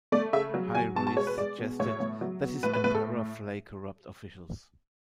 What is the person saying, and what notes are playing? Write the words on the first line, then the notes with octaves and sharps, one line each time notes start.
Hai Rui suggested that his emperor flay corrupt officials.
A3 D5
C#3 E5
F#3
F#3 G#5
B2 A5
A5
G#3 C#5
B4
G#3 D5
B2
A2 C#5
A2
F#3
B3
A2 B4
B4
A2 B4
A4